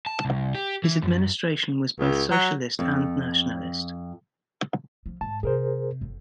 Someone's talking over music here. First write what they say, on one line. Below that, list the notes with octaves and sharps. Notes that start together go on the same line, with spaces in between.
His administration was both socialist and nationalist.
A5
C2
G4
E3
F#2
C#2
F#3
F2
F3
G#2 A5
C3 G#4 A#4 C5
F#1 F2